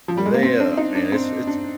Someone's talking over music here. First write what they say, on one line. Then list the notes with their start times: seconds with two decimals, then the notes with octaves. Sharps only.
they, uh, man, it's it's
0.08 F3
0.17 G3
0.26 G#3
0.34 A#3
0.43 C4
0.60 D4
0.77 D#4
0.95 D4
1.12 C4
1.47 D4